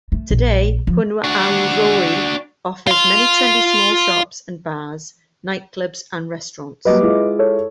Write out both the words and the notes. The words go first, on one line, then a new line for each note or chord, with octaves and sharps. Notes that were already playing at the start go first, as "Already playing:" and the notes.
Today Punavuori offers many trendy small shops and bars, nightclubs and restaurants.
A3
A#1
F3
D4 F#4
F4 C6
F#3 G3 A#3 B4 D#5 D6
G#3 E4 F4
A4 C#5